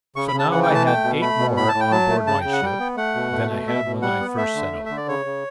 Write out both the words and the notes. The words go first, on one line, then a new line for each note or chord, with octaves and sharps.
So now I had eight more on board my ship, than I had when I first set out.
C#3 C#6
B5
C#3
A5
E3 F#5
G5
A3
A5
A3 G5
B2
A3 B5
B2
A2 B5
A5
A2
G5
F#3 A5
A3
C#3 A5
C#3 G5
F#5
G3 G5
B3
A3 F#5
B2
A3
B2
B2 E5
B2
G3 F#5
B3
A3 E5
D3
A3
D3 E5
D5
C#3 C#5
C#3